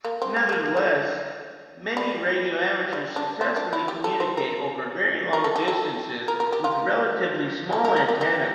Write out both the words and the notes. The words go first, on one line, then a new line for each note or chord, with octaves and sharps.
Nevertheless, many radio amateurs successfully communicate over very long distances with relatively small antennas.
A#3
C4
A#3
A3
A#3
A3
G3
G3
D4
C4
D4
E4
G4
A4
C5
A#4
A#4
A4
G4
A4
A#4
A#4
G4
F4
A4
A#4
A#4
G4
G4